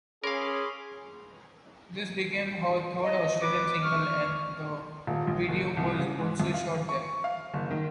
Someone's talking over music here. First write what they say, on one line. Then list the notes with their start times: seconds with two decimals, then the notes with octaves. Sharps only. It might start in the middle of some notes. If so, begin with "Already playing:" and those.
This became her third Australian single, and the video was also shot there.
0.24 C#4 G#4 A#4 F5 B5 C6 D6
3.03 D#5
3.41 B4 D6
3.83 C#6 F6
5.07 D#1
5.27 A#1
5.49 F#1
5.77 C2
5.99 C#3
6.18 G#2
6.40 F2
6.54 F5
6.89 C#6
7.24 F5
7.54 F#1
7.71 D#3